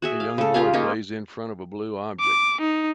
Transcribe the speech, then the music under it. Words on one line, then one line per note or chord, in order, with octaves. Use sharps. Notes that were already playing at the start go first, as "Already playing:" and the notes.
A young boy plays in front of a blue object.
F#4 G#4 E5
F5
C#3 A4
F4 G4 G#4 F5
A#3 C#4 D#4 F4
D6
D#4